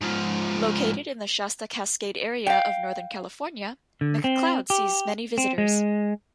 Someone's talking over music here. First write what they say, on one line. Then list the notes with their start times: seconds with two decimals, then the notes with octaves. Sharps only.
Located in the Shasta Cascade area of Northern California, McCloud sees many visitors.
0.01 G#2 F3
2.47 F5 G5
4.01 D3
4.24 C4
4.70 G4
5.38 C4
5.58 G#3